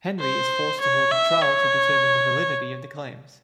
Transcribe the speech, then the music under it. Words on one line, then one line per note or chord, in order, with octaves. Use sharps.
Henry is forced to hold a trial to determine the validity of the claims.
C5
C#5
E5
C#5